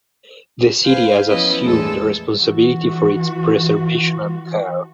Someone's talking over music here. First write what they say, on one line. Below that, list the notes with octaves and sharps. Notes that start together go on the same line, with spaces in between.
The city has assumed responsibility for its preservation and care.
B4 C5 F5 G#5
F3 B3 C#4 E4 B4 D#5
E2 A2 G#3 A4 E6
E3 F#4